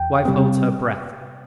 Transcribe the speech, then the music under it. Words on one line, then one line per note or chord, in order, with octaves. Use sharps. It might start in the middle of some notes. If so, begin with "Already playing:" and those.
Wife holds her breath.
Already playing: E2 G5
C3 G3 C4